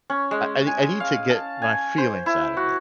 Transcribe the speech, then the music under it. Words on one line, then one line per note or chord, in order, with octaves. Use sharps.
I I nee I need to get my feelings out of it
C#4
G#3
G#5
F5
A5
G#5
C5
E4
F#4